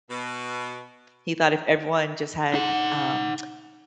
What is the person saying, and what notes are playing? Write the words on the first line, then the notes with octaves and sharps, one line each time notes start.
He thought if everyone just had, um,
B2
D#4 F#5